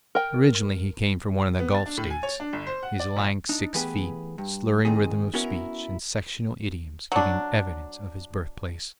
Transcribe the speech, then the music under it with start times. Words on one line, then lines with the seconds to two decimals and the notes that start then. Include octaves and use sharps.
Originally he came from one of the Gulf States, his lank six feet, slurring rhythm of speech, and sectional idioms giving evidence of his birthplace.
0.15 A#4 G5
1.60 B3
1.74 A6
1.86 D4
1.97 A2
2.10 G#5
2.23 C#5
2.40 D4
2.53 G1
2.67 C5
2.83 F#5
3.00 D5
3.16 A#1
3.49 D4 D#4
3.74 E3 A3 B3 G4 G#4 B4
4.38 G2
4.85 A#2 D#3 C4 G#4
5.33 B3 C#4 E4 F#4 A#4
7.12 F#3 D4